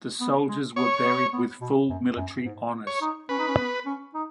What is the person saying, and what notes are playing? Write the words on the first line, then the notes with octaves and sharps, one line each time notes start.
The soldiers were buried with full military honours.
B3
G#3
B3 C#5
B3
B3
B2
F#2
F#2
G#2
C#5
D#4
C#4 B4
D#4
C#4
B3
C#4
D#4